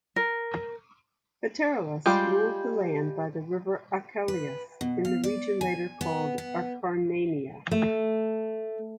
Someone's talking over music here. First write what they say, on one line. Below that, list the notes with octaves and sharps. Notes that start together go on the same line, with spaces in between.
Pterelaus ruled the land by the River Achelous, in the region later called Acarnania.
A#4
G3 G#3 F4 G4
B4
B2
F5
D5
G#5
B3
B3
A3